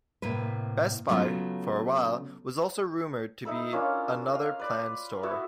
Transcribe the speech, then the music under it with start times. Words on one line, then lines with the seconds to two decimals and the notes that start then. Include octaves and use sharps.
Best Buy, for a while, was also rumored to be another planned store.
0.22 A2 C3 A#3 B4
1.09 C#3 F#3 A3 B3 C#4 F4
3.45 D#4 E4 A4 B5
3.72 A#3 C#4 D4 F4
4.32 D#5 F5
4.59 B4 D5
5.23 B3 E4 F#4 A4